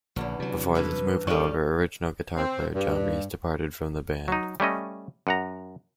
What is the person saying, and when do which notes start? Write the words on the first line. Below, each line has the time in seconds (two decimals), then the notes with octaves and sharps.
Before this move, however, original guitar player John Reese departed from the band.
0.16 A#1 E2 D3 E3 C#4
0.40 C3 F#3
0.75 G2 E3 E4 B4
1.27 D#3 G3 C#4 A4 D5 C#6
2.37 C4
2.75 G2
4.28 F#3 D#4
4.60 G3 A3 C#4 D#5
5.27 F#2 F#5 A#5